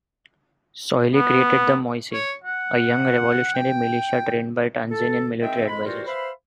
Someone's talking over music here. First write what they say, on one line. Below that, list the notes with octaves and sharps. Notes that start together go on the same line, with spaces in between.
Soilih created the 'Moissy', a young revolutionary militia trained by Tanzanian military advisers..
B3
C#5
F#5
G5
A4
D#3 G#3 C4 E5 G5
F2 G#3 B5
E3 G3 F4 F#4 A#4 C5
B4 C5 E5 F5 B5